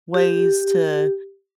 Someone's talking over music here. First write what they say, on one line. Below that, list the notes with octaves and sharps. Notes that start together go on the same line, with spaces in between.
ways to
G4